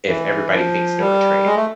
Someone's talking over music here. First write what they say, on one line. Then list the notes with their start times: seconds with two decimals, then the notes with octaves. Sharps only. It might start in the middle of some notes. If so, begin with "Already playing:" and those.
if everybody thinks they're a traitor.
0.07 E3
0.53 F3
0.99 G3
1.45 G#3
1.56 A3